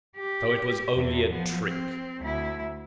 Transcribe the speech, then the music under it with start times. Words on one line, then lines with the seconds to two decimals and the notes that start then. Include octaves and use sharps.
So it was only a trick!
0.17 G4
0.95 E2
1.31 F3 B3
1.64 C4
2.21 D2 E4